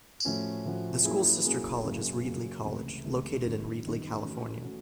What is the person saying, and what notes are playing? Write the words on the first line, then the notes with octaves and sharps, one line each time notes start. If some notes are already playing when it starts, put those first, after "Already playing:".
The school's sister college is Reedley College, located in Reedley, California.
A2 F3 A3 C#4 F#4
A2 F3 A3 C#4 F#4
F#3 A#3 C#4 E4 G#4
F#3 A#3 C#4 E4 G#4
F#2 C#3 F#3 A#3 C#4
F#2 C#3 F#3 A#3 C#4
C#2 C3 E3 A3
C#2 C3 E3 A3
F#2 D#3 G3 B3
F#2 D#3 G3 B3
E3 A3 C#4 F#4
A3 C#4 F#4